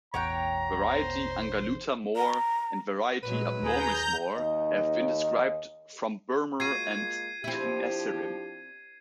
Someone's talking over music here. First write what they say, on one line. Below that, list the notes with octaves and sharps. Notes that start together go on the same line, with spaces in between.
Variety "angulata" Moore, and variety "abnormis" Moore, have been described from Burma and Tenasserim.
A1 E2 B2 C#5 F#5 G5 A#5
C5
A#5
A#2 F#3 G#3 B4
D#2 G#4 A#5 G6
D#2 D#5
G#3 A#3 F4 F#4 G#6 C7 D#7
F3 C4 D4 E4 G4